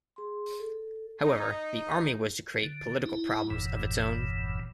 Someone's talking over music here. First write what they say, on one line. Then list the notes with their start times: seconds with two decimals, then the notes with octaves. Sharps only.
However the army was to create political problems of its own.
0.16 G#4 C6
0.60 A4
1.24 D#4
2.63 D3
3.06 D#4 E4
3.50 F#1 E2 G2 A#2 E3